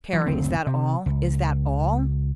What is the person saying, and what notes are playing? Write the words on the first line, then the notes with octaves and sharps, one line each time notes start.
"Parry, is that all?--is that all?"
E3 F#3
F#1 D2 C4
C3
C#2